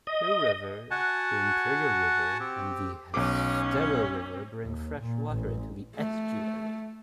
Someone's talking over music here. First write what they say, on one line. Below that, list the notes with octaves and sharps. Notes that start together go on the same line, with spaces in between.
Two rivers, the Imperial River and the Estero River bring freshwater into the estuary.
D#5
F#4 F#5 G#5 A5
C4 G4
B1 C#4 D6
D#2
A#2
A1
A3